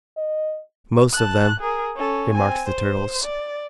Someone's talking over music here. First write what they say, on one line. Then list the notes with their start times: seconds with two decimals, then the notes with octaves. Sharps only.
"Most of them," remarked the Turtles.
0.17 D#5
1.13 A5 F#6
1.60 G#4 A#4
1.96 C#4 A4
2.34 C4 G#5
2.67 C5
3.24 D5